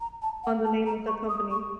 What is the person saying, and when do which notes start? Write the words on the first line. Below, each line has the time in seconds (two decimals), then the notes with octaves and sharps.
on the name of the company.
0.01 A#5
0.22 A5
0.44 F#5
0.65 A5
0.86 A#5
1.07 C#6
1.29 D#6
1.51 C#6